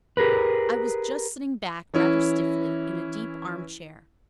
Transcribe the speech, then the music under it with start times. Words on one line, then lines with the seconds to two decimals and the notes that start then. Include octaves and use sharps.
I was just sitting back, rather stiffly, in a deep arm-chair.
0.17 G4 G#4 A#4 B4
1.94 E3 C#4 E4